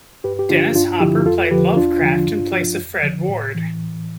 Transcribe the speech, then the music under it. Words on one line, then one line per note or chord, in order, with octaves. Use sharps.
Dennis Hopper played Lovecraft in place of Fred Ward.
G2 G4 B4
G4
D3 F3 D4 F4
G2 D4 F4
D3 F3 E4 G4
F2 F4 A4
D3 F3 G4 B4
E2 D4 F4
D3 F3
G2
F3
F2
D3 F3
A2
E3